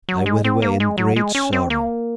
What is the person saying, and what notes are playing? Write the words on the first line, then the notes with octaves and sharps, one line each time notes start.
I went away in great sorrow.
F#3
G#3
C4
A#3
G#3
F#3
G#3
C#4
C4
A#3